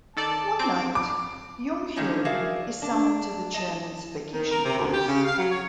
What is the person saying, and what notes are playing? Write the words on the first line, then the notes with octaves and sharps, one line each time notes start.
One night, Jung-hyun is summoned to the chairman's vacation house.
D#3 A4 D5 A5
C4 D6 D7
D6
D3 D#3 F3 A3 C#4 D#4
F#4 G#4 A#4 D5 E5 F5
D4
D#5 A5
D#3
A#4
C3
D2
G4
C#3
F5
F#3
C#5